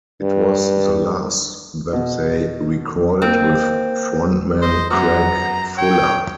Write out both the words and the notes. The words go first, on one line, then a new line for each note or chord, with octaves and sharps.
It was the last that they recorded with frontman Craig Fuller.
G2
B2
A#3 C4
C5 D#5
F#2 B3 F#4 A#5
C#5 G5